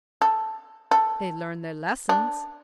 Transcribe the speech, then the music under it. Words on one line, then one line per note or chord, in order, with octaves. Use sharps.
"They learn their lessons."
A4
A4
D4